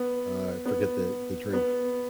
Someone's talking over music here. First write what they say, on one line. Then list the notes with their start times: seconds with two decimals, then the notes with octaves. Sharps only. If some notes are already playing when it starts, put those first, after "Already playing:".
uh, forget the the drink,
Already playing: B3
0.65 B3
1.53 B3